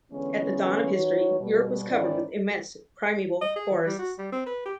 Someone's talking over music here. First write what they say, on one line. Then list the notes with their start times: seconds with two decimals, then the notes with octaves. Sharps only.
At the dawn of history, Europe was covered with immense primeval forests.
0.12 D3 E3 G#3 B3 C#4
0.94 E3 D#4 F#4 C#5
1.39 B2 G3
1.90 G#2 D#3 C#4 E4 D5
3.41 D#5
3.56 G#4
3.71 E3
3.86 G3
3.99 F#4
4.19 G3
4.32 C4
4.46 B4
4.65 G4